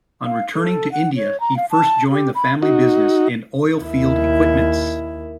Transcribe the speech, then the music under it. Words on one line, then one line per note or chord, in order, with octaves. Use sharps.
On returning to India, he first joined the family business in oil-field equipments.
F5
A4
F#5
C#5
A#5
F5
A5
G4
B5
D#4 F#4
D#2 E4